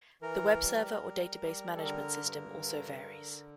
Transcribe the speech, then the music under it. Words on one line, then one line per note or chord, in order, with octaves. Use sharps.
The web server or database management system also varies.
E3 A#4
G3
G3
G3
A4
D3 A#4
G2
D3
D3